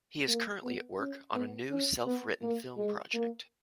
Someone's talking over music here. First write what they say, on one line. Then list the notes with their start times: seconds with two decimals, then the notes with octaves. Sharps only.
He is currently at work on a new self-written film project.
0.28 A#3
0.63 B3
0.99 C#4
1.34 B3
1.71 C#4
2.06 B3
2.42 A#3
2.77 G#3
3.14 A#3